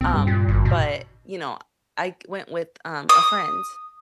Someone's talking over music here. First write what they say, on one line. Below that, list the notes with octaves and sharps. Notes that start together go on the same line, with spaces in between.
um, but, you know, I went with, um, a friend
B1 C4
G2
A#2
G#1
B2
D#6